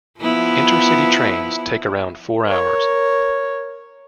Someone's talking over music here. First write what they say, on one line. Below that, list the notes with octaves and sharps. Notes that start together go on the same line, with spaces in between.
Inter-city trains take around four hours.
F3 B3 E4
A#4 C#5